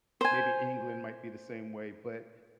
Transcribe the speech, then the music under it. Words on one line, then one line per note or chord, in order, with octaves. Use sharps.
maybe England might be the same way. But,
C5 G#5